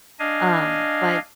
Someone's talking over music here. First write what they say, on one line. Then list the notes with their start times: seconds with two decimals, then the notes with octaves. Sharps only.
Um, but
0.19 D4 D#5 F5 G#5